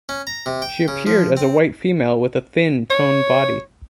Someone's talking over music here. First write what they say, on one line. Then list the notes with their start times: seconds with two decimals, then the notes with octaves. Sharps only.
She appeared as a white female with a thin, toned body.
0.09 C#4
0.27 A#5
0.46 C3
0.62 G5
0.88 C#3
1.07 F3
1.37 C4
2.90 C#5